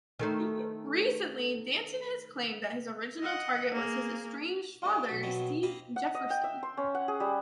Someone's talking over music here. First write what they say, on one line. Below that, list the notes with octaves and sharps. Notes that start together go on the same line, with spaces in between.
Recently, Danton has claimed that his original target was his estranged father, Steve Jefferson.
D#3 A3 C5
D#5 F#5
A#3 G#4
G3 A3 D4
B1 F#4
B2 D#3 F3 F#3 G#3 C4
A#3 C4 D#5 F5 B5
F#5
D#5
G5
E5
C6
C#4
F#5
G#4
G3